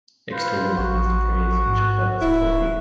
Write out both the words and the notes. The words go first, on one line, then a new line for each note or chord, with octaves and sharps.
'Extol' means to praise, which I felt was appropriate...
F4 B4 C5
A1 F#4
G#2
D1 E4